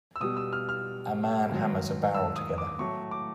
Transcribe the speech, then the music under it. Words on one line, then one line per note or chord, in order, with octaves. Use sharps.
A man hammers a barrel together.
E6
B2 G3 D#6
E6
F6
F6
G#2 D#3 F#3
E6
D#6
D6
A2 F#3 A3 C#6
D6